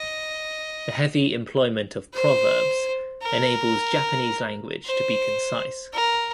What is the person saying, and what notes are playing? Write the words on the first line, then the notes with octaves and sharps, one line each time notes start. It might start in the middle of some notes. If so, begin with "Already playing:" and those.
The heavy employment of proverbs enables Japanese language to be concise.
Already playing: D#5
C5
A#4
C5
A#4